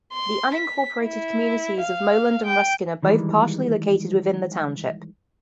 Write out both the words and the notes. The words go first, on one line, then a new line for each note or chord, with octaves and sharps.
The unincorporated communities of Moland and Ruskin are both partially located within the township.
C6
B6
E4
F5
G5
D#3 E3 G3 G#3